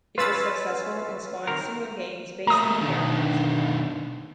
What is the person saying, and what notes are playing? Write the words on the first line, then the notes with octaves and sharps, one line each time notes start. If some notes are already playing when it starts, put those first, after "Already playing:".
It was successful and spawned similar games based on the characters.
C#4 F4 B4 E6 A6
D#3 C4 A#4
A3 A#3 A#5 D#6
B2 D3 D#3